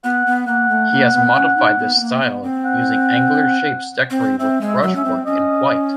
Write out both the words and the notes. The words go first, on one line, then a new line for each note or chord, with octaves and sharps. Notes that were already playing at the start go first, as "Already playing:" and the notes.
He has modified this style, using angular shapes decorated with brushwork in white.
B3 F#5
B3
A#3 F#5
A3
A#3
B3
C#4
D#4
B3
B3
A#3
B3
C4
F#5
C4
C4 E5
G#3
E5
F#3
C#4 E5
C4
C#4 D#5